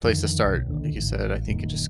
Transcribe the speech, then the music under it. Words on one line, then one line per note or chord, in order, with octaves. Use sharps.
place to start. Like you said, I think you just
F2 D3 D#3
B1
D#2 D3
A1 G#2
D#1 F#2 A#2 D#3